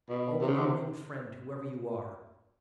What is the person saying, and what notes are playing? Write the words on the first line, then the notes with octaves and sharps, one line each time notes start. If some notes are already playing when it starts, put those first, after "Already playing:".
Oh, unknown friend! whoever you are.
B2
C3
C#3
D3
C3